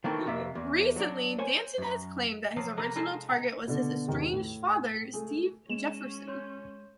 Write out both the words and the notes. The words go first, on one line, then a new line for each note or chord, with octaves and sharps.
Recently, Danton has claimed that his original target was his estranged father, Steve Jefferson.
D#3 E3 A3 C4
F2 C3 A#3 E5
E2
F#3 D4
C5 C#5 G#5
F#2 A#5
C3 F3 F#3 F4 C5 F5
C3 A#3 B4 C5 A#5
G#3 D#4 F4 A4 C5
B2 A#5
B2 D3
E2 C3 D#3 G#3
A2
G#3 A3 G#4
G#3 C#4 E7
C#5 C6 G6